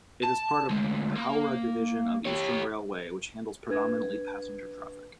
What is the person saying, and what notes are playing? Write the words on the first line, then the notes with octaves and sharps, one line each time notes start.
It is part of Howrah Division of Eastern Railway, which handles predominantly passenger traffic.
A5
D2 G#3
A#3
G4 C#5
D4 B4 G#6